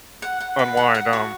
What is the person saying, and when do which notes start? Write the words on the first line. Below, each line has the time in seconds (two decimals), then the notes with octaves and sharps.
unwind, um,
0.22 F#5
0.40 F#5
0.59 B4
0.77 F#5
0.95 F#5
1.13 F#4